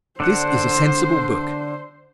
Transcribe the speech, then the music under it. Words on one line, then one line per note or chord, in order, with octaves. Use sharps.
This is a sensible book.
D3 D4 C5 F#5